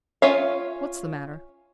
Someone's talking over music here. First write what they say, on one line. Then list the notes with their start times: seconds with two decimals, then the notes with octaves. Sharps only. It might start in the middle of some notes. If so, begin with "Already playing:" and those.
"What's the matter?"
0.22 C#4 F4 C#5 E5 F5